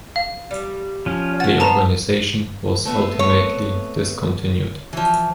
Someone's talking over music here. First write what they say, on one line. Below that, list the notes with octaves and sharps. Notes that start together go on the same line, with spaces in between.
The organization was ultimately discontinued.
F5
G3
F3 C#4
A3 F#4 A6
B3 C4 C5 A5 A#5
A3 B3 C4
C#5
E3 F3